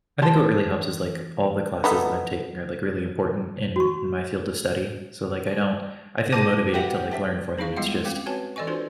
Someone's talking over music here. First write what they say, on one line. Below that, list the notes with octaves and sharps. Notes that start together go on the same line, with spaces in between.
I think what really helps is, like, all the classes that I'm taking are, like, really important in in my field of study, so, like, I don't I feel motivated to, like, learn for them, it's just
E3 G4 A5 C6
A3 B3 D#4
F#4 C#6
G#4 C5 A5 D6 A#6 D#7
G4 B4 E5 F#5
D4 E5
B3 D#4 E4 G#4 F5 C#6
G3 G#3 B3 F4 F5 F#5
C4 C#4 F5 G5 D6
C4 F#4 B4 C#5 G#5 A5
E3 A4 D5 D#5 G#5 C#6
D4 F4 F#4 B4 C5 D5